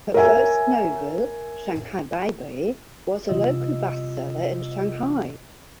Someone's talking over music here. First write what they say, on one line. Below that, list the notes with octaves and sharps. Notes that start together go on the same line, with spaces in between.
Her first novel "Shanghai Baby", was a local bestseller in Shanghai.
A#4 C#5 E5 G#5
C3 E3 G3 F4 D#5 E6